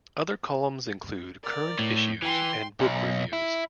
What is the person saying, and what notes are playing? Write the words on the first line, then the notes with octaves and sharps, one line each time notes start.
Other columns include Current Issues and Book Reviews.
A#4 D5
A2
E3 G5 C6
B1
E4